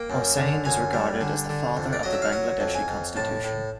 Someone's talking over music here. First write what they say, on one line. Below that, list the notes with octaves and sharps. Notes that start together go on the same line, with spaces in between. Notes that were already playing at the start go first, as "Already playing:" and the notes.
Hossain is regarded as the father of the Bangladeshi constitution.
Already playing: A#3 G5
F#2
D3
F#2 G#5
G3
D3
D3
F2
D5
F#3 D#5
E5
F5
F#3 F#5
F2
G#5
F2
A2 A5
A2